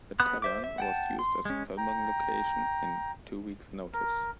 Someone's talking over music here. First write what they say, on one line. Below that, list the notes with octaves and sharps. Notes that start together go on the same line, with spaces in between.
The Tavern was used as a filming location in "Two Weeks Notice".
B3 B5 D#6 F#6
C5 E5 D6
E5
F#5 G5 A5
C6
G#3 C#4
G5 A#5
A#4